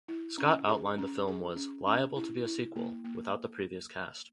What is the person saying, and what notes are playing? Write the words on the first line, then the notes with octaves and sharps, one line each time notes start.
Scott outlined the film was "liable to be a sequel" without the previous cast.
E4
C#4
G#4
C#4
G#4
C#4
C#4
E4
E4
A#3
A#3